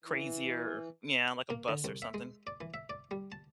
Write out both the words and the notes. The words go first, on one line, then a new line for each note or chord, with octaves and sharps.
crazier, yeah, like a bus or something.
E3
A#3
D3
C2
E5
G#3
D5
E3
E5
D5
G3
A5